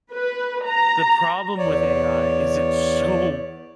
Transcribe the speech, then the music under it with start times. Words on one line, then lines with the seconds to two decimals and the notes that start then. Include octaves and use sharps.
The problem with AI is it's so
0.14 B4
0.65 A#5
1.58 E2 C#5 D5